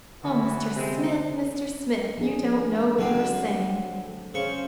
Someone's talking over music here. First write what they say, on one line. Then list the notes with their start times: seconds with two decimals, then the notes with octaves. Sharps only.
"Oh, Mr. Smith, Mr. Smith, you don't know what you are saying!"
0.23 D3 E3 B3 F#4
0.76 C3 G#3 C4
2.18 F3 D4 G#4
2.99 D3 F#3 G3 A3 C4
4.34 C#3 C5 C#6